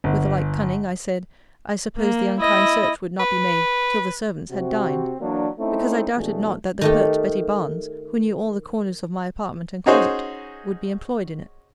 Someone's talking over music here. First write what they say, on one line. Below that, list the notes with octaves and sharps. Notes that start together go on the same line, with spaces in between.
With like cunning I said, I supposed the unkind search would not be made till the servants had dined; because I doubted not that the pert Betty Barnes, who knew all the corners of my apartment and closet, would be employed in it.
G1
A#3
E4 D#5
B4
C3 C4 F#4
E3 F#3 A#3 D4
A3 C4 C#4 D#4 E4
B2 E3 F3 A3 D4 G#4
D#3 A3 G4
C#4 D#4 F#4 G#4 C5 C#5